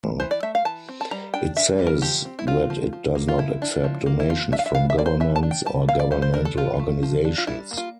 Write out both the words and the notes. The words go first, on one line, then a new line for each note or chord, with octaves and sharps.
It says that it does not accept donations from governments or governmental organizations.
E3 C5
D5
A3 E5
F5
E3 A5
C4
A5
G3 A#5
D4 G5
D4 E5
G3
A#4
F3 G4
C4
E4
C4 F4
F3
F3
A#3
F4
F3 E4
D4
F3
A#3
E4
F3 F4
D4 E5
F5
E5
E3 F5
E5
A#3 D5
C5
E3 E5
A5
D4
G5
G3 A5
A#3 F5
D5
G3 C5
C5
D4 A#4
A4
F3 F4
A3
F3
D4
F4
G3 E4
A#3
F4